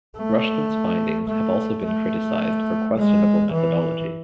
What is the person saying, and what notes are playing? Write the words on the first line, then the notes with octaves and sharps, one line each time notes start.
Rushton's findings have also been criticized for questionable methodology.
A3
A3
A3
G#3
E3